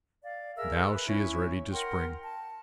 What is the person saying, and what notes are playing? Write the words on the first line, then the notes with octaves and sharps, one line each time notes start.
Now she is ready to spring.
D5 F5
G#4 A#4 E5 E6
B4
C#4 E4 C#5
A#4 F#5 G5 C6
A5